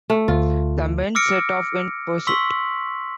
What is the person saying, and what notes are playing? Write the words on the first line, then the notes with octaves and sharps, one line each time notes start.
The men set off in pursuit.
A3
D2 F4
D6 E6 F6 A#6 C#7 D7
C6 C#6 E6 B6 F#7